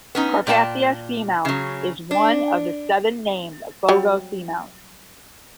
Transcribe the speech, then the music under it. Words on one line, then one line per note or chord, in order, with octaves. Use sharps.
Carpathia Seamount is one of the seven named Fogo Seamounts.
B3 C#4 D#4
A#2 D5 G5 A5
C#3 F#3
D4
F#3 G3